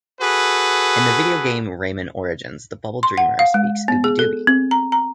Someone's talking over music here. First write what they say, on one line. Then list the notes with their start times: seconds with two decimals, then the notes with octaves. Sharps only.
In the video game "Rayman Origins", the Bubble Dreamer speaks Ubbi Dubbi.
0.21 F#4 G#4 A4 B4
3.03 C6
3.18 F#5
3.39 F5
3.54 G#3
3.88 B3
4.04 G#4
4.19 A4
4.47 C4
4.71 A#5
4.92 A#5